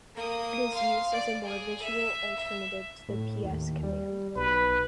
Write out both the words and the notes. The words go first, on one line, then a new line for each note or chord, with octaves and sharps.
It is used as a more visual alternative to the ps command.
A#3 D#6
F5 C6
D5
G#4
E5
E5
A2
D#2
G3
B1 B4